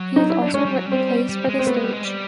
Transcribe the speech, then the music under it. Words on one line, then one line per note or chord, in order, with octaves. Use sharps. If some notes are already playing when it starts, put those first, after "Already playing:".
He has also written plays for the stage.
Already playing: F#3
D#4
E4
D4
G#3 C#4
G3
F#3
G3
C4
G3
G#3
C4
A3 B3
G#3
G3
G#3
G3